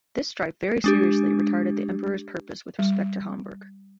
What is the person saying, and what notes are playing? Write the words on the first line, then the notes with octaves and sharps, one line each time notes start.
This strife very seriously retarded the emperor's purpose with respect to Hamburg.
G#3 D4 G4
G3